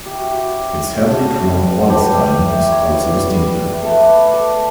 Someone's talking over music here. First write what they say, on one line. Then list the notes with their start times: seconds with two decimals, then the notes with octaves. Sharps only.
Its heavily chromed body styling is also distinctive.
0.05 E4 G4
0.18 F#4
0.31 G4
0.52 C#4
0.98 D4 F#4
1.44 G3
1.65 B4
1.78 A4
1.90 F#3 G4
2.35 E4
2.72 C#5
2.81 B3 D5
3.27 G3
3.73 A3 E5
3.82 A4
3.90 B4
3.97 C#5
4.03 D5
4.18 A3
4.33 A4